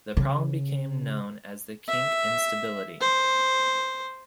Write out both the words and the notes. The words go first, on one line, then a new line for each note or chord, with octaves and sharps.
The problem became known as the "kink instability".
C#3
E5
C5